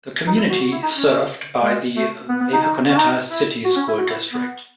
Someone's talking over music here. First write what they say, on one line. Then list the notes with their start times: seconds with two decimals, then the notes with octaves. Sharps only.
The community is served by the Wapakoneta City School District.
0.27 D#4
0.38 E4
0.50 F#4
0.61 F#4
0.72 E4
0.82 D#4
0.94 C#4
1.62 G#3
1.96 A3
2.29 B3
2.40 B3
2.53 D#4
2.63 D#4
2.90 C#4
2.98 D#4
3.30 E4
3.65 F#4
3.76 C#4
3.88 E4
3.98 F#4
4.09 E4
4.33 B3